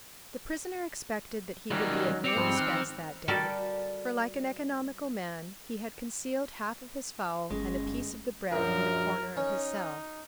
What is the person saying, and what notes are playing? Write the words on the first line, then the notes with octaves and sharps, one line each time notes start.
The prisoner expected that he would be at no expense that day, for like an economical man he had concealed half of his fowl and a piece of the bread in the corner of his cell.
D#3 F#3 G3 C#4 D#4
C4 D6 C#7 F7
G#2 F3 G3
D#3 E3 F6 F#6
G3 F#4 G4 A4 A#4 D5
G1 G#3 C#4
A#1 F#2 A#4
C#4 D#4